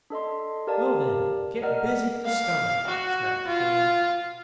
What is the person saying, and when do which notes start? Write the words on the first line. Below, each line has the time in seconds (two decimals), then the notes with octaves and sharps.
"Well, then, get busy and discover it," snapped the Queen.
0.10 D4 A4 D#5 C6
0.67 G4 A#4 D5 F5 A5
1.62 A#4 D5 D#5 F#5 F6
2.26 F5
2.87 F#4
3.47 F4